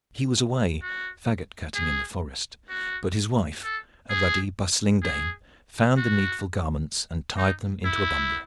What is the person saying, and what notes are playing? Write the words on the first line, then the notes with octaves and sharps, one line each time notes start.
He was away faggot-cutting in the forest, but his wife, a ruddy bustling dame, found the needful garments and tied them into a bundle.
F#4
G#4
F#4
A4
G#4
G#4
F#4
D#4
E4